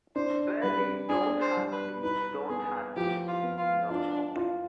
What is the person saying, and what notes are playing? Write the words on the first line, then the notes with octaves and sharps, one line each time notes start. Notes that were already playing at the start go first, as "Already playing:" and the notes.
Baby don't hurt me, don't hurt me...no more.
D4 C5
G3 B4
D4 G#4
C5
G3
B4
D#4 B4
B3 G#4
F3 G4
F4
B3
F4
D4 F4
F4